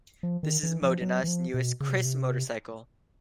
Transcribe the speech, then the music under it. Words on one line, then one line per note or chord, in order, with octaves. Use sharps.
This is the Modenas Newest Kriss Motorcycle.
F3
D#3
E3
F3
F#3
E3
F3
B2
C#3
C3
B2
C3